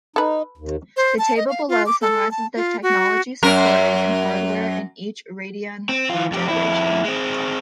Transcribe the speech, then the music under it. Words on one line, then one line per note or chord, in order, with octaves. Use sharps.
The table below summarizes the technologies supported in hardware in each Radeon generation.
D#4 A4 B4
D#2
C5
A5
D#5
F5
F4
D6
A4
A5
F4
F#4
F#2 A#4
C4
E3 F4
F2 G4
F2 E4
G#3 C4